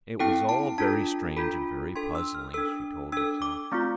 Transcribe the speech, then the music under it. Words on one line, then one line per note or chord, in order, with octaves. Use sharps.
It was all very strange and very puzzling, she told herself.
C4 E4 A4 G5
A5
D4 F4 A4 A5
D4 F4 A4 B5
D4 A4 C6
E6
F6
D4 A4 E6
D4 A4 E6
D6
A3 C4 F4